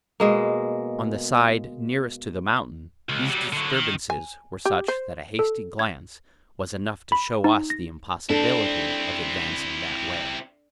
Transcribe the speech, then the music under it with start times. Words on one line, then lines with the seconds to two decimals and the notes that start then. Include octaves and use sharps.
On the side nearest to the mountain these disturbances were such that a hasty glance was enough to show us the impossibility of advancing that way.
0.20 B2 G#3 A#3
3.09 C#2
3.30 F#3 G3
3.53 D3 F#3
3.71 D#3
4.10 G#5
4.65 G4
4.88 C5
5.39 A4
5.79 G#6
7.12 B5
7.44 D#4
7.70 A#6
8.29 C4 D4 E4 A4